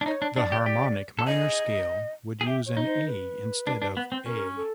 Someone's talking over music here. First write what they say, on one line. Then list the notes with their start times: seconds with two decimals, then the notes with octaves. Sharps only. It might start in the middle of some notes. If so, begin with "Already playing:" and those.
The harmonic minor scale would use an A instead of A.
0.01 D4
0.06 D#4 C#5
0.22 D4
0.36 D4 D5
0.52 G4
0.66 G4
1.19 A4
1.27 G#4 D#5
2.41 G#4
2.46 G4 E5
2.66 C#5
2.77 D#4
2.86 C5
3.06 B4
3.67 D4
3.82 D4
3.97 B3
4.12 C4
4.26 C#4 A#4
4.56 A4